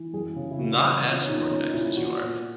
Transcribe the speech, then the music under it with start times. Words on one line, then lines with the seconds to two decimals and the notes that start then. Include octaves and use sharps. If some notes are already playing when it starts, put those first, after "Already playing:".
not as organized as you are,
Already playing: E3
0.13 F#2 G#4
0.36 C#3
0.51 E4
0.59 C#3 F#4
0.82 E3
1.05 A#2 C#4
1.21 C#4
1.28 A#2 D#4
1.51 A#2 C#4
1.74 A#2 E4
1.97 A#2 F#4
2.21 A#2